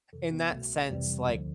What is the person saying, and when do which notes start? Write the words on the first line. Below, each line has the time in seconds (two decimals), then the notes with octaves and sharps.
in that sense, like
0.13 F2 C3 E3 A4
0.32 B3
0.51 C2 B2 A3
0.90 F2 C3 E3 G3
1.28 D2 D3 F3